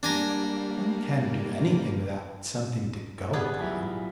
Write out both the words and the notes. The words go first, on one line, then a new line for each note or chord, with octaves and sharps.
One can't do anything without something to go upon.
G3 A#3 D4 G#5 A#5
G3 B3 G#4
F#3 E4 F4